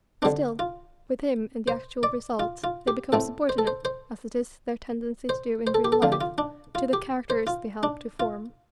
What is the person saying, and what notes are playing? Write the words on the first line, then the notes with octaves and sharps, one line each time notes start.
Still, with him, in the actual result, they become subordinate, as it is their tendency to do in real life, to the characters they help to form.
D3 G3 C4 D4
F4
C5
D5
F4
F4
G4
A2 A3 C4 A4
C5
A4
C5
C5
C5
C5
A4
G4
A4
D3 F3 C4 F4
G4
F4
D4
F4
G4
C5
F4
D4
F4